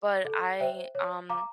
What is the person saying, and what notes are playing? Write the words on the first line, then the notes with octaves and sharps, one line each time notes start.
But I, um
A4
C5 E5 G5
C#5
F5 A#5 D6